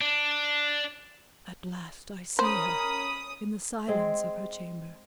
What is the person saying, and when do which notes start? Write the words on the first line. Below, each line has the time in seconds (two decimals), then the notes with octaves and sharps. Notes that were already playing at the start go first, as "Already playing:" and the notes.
At last, I see her, in the silence of her chamber.
0.01 D4
2.39 C#4 A#4 C5 B5 D#6
3.88 G#3 C4